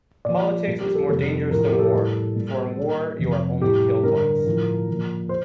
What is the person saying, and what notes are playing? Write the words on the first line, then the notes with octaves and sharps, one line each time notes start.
Politics is more dangerous than war, for in war you are only killed once.
A#2 F3 D5
A#2 G3
G4
A4
F2 C3 G3 A4
A2 F3 A#4
A4
G4
A4
A2 G3
A#2 G3
A#2 G3
F2 C3 F3
A2 G3 G4
G2 D3 G3 A#4
A2 F3
A#2 F3
C5